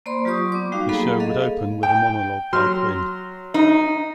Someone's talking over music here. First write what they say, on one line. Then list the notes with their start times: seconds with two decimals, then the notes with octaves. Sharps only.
The show would open with a monologue by Quinn.
0.06 A#3 C5 D5 B5 C6
0.25 F#3 F4 G4 D5 C#6 D#6
0.52 B3 D6
0.72 G3 D#4 F#4 F5
0.89 F#3 A#3 G#4 A4 F5 B5
1.20 G#4 A4 D#5 F5
1.83 G5
2.53 F#3 C6 F6
3.54 D#4